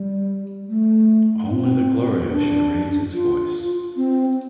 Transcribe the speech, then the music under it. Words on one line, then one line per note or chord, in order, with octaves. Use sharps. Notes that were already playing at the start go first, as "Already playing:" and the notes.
Only the Gloria should raise its voice.
Already playing: G3
A3
C4
D4
F4
C4